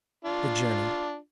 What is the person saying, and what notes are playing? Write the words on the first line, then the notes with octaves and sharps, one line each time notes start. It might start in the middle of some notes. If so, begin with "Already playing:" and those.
The Journey.
D4 F4